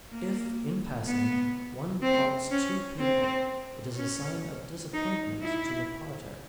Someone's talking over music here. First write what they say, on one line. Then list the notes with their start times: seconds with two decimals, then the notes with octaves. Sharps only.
If, in passing, one parts two people, it is a sign of disappointment to the parter.
0.10 A#3
1.07 B3
2.03 C4
2.51 C#4
3.00 C4
3.97 C#4
4.94 D#4
5.42 E4